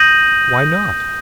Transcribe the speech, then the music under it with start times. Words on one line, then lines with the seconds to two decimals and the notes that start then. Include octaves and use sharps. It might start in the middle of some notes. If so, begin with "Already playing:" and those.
Why not?
Already playing: D#6 G6 A#6 D#7 F#7